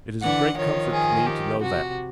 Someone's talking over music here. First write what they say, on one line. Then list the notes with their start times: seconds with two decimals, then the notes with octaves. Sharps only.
It is a great comfort to me to know that.
0.23 D3 E3 F#5
0.57 D#3 F3 C#5
0.93 G#4
1.26 G4
1.61 C3 F#4